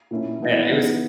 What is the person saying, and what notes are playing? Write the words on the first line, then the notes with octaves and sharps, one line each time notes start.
Yeah, it was
A#2 A#3 C#4 E4
E3 B3 E4
E3 B3 D#4